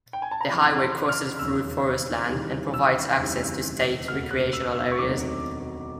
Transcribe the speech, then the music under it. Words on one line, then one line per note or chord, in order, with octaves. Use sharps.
The highway crosses through forest land and provides access to state recreational areas.
G5
G#5
A5
A#5
F2 C#3 E3 B5
C6
F6
E1 D#2 C#3 F#3 E6
D#2 C#3 E3 G3
E6
F1 D#2 C#3 E3 G3
E1 D2 C#3 F6
F#6
E6
E6
C#6
E1 D2 C3 D#3 F#3 D6